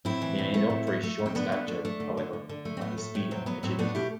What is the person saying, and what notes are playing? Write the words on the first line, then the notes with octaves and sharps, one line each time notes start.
He made up for his short stature, however, by his speed and agility.
A2 C4 E4
E3
A2
A3
A2
A3
A3
A2
C4
D3 B3 D4
D3
A3
A3
D3
D3
D3
D3
A3
C4
A2 B3
A3
A2
F#3 C4
F#3 B3
A2 C4
A3 B3 D4
B2 E4 G4